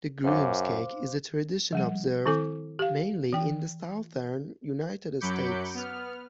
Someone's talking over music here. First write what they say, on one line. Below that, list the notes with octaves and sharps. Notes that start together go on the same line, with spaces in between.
The groom's cake is a tradition observed mainly in the southern United States.
F#2 C5 F5 D6
F3 G3 F#5
D#3 C4 E4 A4 G#5 D6
G4 F5
E3 G5
F#2 F#3 B5 D6 G6 C#7
B3 F6